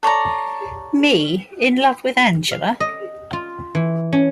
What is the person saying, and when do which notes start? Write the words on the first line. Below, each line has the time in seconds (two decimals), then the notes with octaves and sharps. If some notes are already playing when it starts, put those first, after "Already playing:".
Me in love with Angela?
0.03 A4 C#5 D5 A#5
2.51 F5
2.80 D#5
3.33 F4
3.75 E3
4.12 C#4